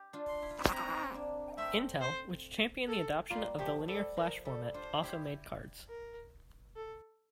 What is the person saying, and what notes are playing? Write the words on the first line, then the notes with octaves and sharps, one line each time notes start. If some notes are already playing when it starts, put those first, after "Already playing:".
Intel, which championed the adoption of the Linear Flash format, also made cards.
Already playing: G4
D4 F4
C6
E4
F4
C4 E4
C4 E4 A#5
A#3 D4
A3 C4 E5
C5
A4
G3 A#3 F4
F3 A3 G4
G3 A4
F3 A#4
G3 A4
D4 F4 C5
E4 G4
A#4
A4